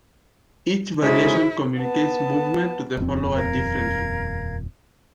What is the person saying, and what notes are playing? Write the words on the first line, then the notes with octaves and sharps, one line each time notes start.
Each variation communicates movement to the follower differently.
C#3 G#3 D#4 E4 F#4 G#4 C5
B3 A5
D#1 F2 C4
A#4 F5 G#6